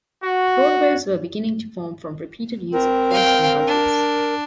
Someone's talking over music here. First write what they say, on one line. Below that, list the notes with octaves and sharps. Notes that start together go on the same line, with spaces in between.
Roadways were beginning to form from repeated use of horse and buggies.
F#4
C4 A#4
F5 G5
D4